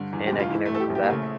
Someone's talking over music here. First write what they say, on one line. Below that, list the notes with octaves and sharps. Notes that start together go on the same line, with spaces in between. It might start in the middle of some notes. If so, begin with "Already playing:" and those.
And I can never come back?
Already playing: G2 D3
E2
G4
F1
F4
E3 E4
A3
A2 A4
G4
A#1
G4
A#3
C#3 A3